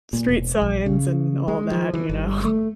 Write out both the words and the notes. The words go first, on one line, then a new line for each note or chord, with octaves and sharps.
street signs and all that, you know.
A#2
E1
A#1
C#3
G#3
F3
E3
G1
A3